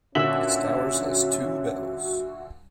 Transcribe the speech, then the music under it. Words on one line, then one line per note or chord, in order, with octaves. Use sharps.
Its tower has two bells.
A#2 D3 C#4 F#4 E5 E6 F#7